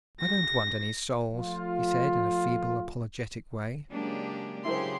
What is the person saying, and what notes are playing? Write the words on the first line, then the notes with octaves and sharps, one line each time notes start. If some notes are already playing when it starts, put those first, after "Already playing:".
"I don't want any souls!" he said in a feeble, apologetic way.
A#6
F3 A3 F4
C#3 F#3 G#3 A#3 D4 G4
C#3 F#3 E4 G4 G#4 A#4 C5 C6